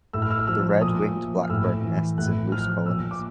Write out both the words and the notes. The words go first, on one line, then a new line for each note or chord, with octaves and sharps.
The red-winged blackbird nests in loose colonies.
A2 E6
F6
E6
F6
F3 E6
A#2 D#6
F3
F6
A2 E6
E3
A2 F#6
F3 F6
A#2 E6
D6